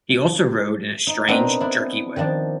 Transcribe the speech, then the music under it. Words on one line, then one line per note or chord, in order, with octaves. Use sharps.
He also rode in a strange, jerky way.
D#4
B3 C4 D4 D#4 A#4
D4 E4
D#3 F3 D4 A5